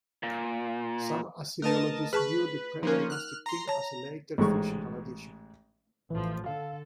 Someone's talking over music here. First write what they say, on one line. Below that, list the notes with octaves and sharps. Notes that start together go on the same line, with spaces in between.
Some Assyriologists view the predynastic kings as a later fictional addition.
A#2
A3 A#4 B4 D#5 A5
G#4 B4 A5 C#6
F3 A#3 C#4 D#4 A#4
F6 F#6
A#5 C6
C#5 A5 A#5
A1 G#2 G#3 C#6
A1 E3 F3
D3 A4 F5